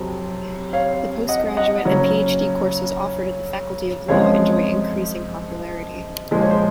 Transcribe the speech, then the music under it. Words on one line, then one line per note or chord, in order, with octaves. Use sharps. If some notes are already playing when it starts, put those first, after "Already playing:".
The post-graduate and PhD courses offered at the Faculty of Law enjoy increasing popularity.
Already playing: F2 C3 F#3 C4
C#5 F5
D#5 F#5
D#5 F#5
C#3 F#3 A#3 C#4
F#2 F3 G#3 C4 C#5 F5
A#2 F3 G#3
C#5
C5